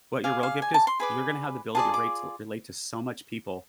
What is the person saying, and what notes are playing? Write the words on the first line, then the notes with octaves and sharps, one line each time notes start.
What your real gift is, you're gonna have the ability to ratel relate to so much people
G#4 D5 F5
F5
G#5
A5
C6
G#4 B4 D5 B5
F4 G#4 D5 A5
D6